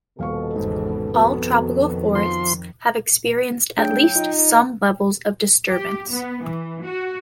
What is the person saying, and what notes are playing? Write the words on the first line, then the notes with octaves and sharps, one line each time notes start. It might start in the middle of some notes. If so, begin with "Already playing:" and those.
All tropical forests have experienced at least some levels of disturbance.
D#1 B2 A4 F5 C#6
G#1 E2 G#2 C#3
F2 D#3 B3 F#4
F3 C6
C#3 F#3 A3 D4 G#4 G5
D#4 F4
G4
B3
E3
F#4